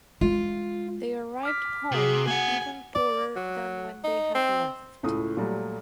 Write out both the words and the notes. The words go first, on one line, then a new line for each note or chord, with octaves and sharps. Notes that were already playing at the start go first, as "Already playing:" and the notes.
They arrived home even poorer than when they had left.
G#3 F4
D6 F6 B6
C3 F#4 G#4
A#3 F#5 G#5 G#6
D5
F#3
D#4
C4
C#2 A2 D#6
A#2 F#3 G3 A3